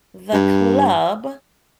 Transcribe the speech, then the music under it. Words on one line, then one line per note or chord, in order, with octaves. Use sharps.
the club,
G2